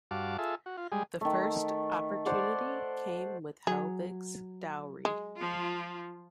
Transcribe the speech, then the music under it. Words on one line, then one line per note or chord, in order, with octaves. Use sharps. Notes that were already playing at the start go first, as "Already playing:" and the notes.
The first opportunity came with Helvig's dowry.
G2 F#4 F5 A5 D6
F4 G#4 A4 E5
F#4
F4
G3 G#3 G#4
D#3 A3
C5 D5 F#5 A5
F#3 G#4
G#3
F3 F4